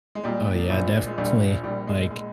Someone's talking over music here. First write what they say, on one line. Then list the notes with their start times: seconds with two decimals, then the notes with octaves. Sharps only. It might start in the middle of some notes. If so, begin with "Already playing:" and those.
Oh, yeah, definitely. Like,
0.15 G#3
0.24 A#2 G3
0.55 F3
0.70 A#1
0.87 F3
1.07 G#3
1.18 A#1 G3
1.41 F3
1.64 A#1 G3
1.87 G#3
2.10 G#3